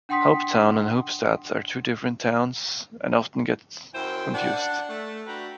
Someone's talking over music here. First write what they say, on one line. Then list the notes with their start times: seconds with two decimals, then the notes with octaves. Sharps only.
Hopetown and Hoopstad are two different towns and often get confused.
0.09 D4 F#5 G5 C6 D#6 B6
3.94 F#2 E4 C5 G5
4.33 D4 F#5
4.89 A3
5.27 D4 F#4 B4 G5 A#5 B5